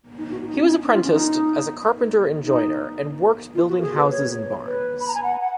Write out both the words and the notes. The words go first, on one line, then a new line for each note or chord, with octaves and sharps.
He was apprenticed as a carpenter and joiner, and worked building houses and barns.
D#4
F#4
D#4
C#4
D#4
D#4
F4
C#4
D#4
D#4
F4
F#4
A#4
G#4
B4
C#5
B4
B5
A#5
G#5
F#5
F#5